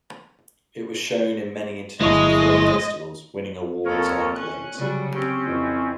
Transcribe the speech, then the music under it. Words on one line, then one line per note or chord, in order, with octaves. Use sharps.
It was shown in many international film festivals, winning awards and accolades.
G1 A#2 F#3 G#3 E4 C#5 D#5
D#2 F3 C4 A4 A#4 C#5
C#4 F#6
C#3 F#3 G3
C4 C#4 G4
F2 E3